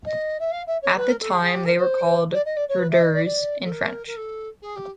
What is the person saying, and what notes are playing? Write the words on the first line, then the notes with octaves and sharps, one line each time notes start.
At the time they were called "verdures" in French.
D#5
E5
F5
E5
C#5
B4
A#4
A4
G#4
G#4
G4
A#4
C5
D5
D#5
D5
C#5
B4
E5
D#5
D5
D5
A4
A#4
A#4
A4
G#4
G4